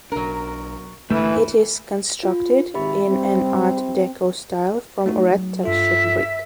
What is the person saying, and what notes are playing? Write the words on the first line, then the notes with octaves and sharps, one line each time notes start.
It is constructed in an Art Deco style from red textured brick.
B1 F#3 D4 A#4
G#2 D3 E3 A3 A4 A#4
F4
G#1 G4 E5 B5
G3 C4
A3 D#4 F#4
F#3
G2 F4 A4 E5